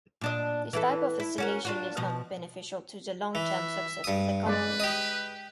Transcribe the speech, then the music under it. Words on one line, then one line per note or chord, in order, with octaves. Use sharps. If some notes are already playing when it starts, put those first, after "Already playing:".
This type of oscillation is not beneficial to the long-term success of the company.
A#2 D4 D#5
E3 E4 A4
E4
C#4 F#4 A#4
D4 F4 F#4
B2 F3 D#5
E3 E5
G2 D#6
G#3 B4 D5
G4 D#5 D#6